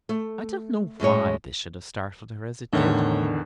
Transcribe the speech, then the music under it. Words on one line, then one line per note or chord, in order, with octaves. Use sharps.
I don't know why this should have startled her as it did.
A3
F#2 A2 G#3 C#5
E2 A2 D3 D#3 C#5